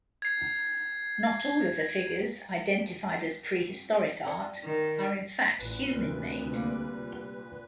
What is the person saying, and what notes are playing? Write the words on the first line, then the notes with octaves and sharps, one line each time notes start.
Not all of the figures identified as prehistoric art are in fact human made.
G#6 C7
D5 G5
D#3
A1 A#2 B4 G#5
D2 C3 C4 A#4
G3 A#3